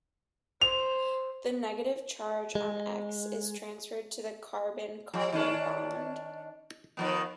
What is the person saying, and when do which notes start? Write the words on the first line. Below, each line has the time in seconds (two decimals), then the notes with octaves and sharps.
The negative charge on X is transferred to the carbon - carbon bond.
0.61 C5 F7
2.55 G#3
5.14 F3
5.32 D#3 C#4 D4
6.97 D#3 F3 B3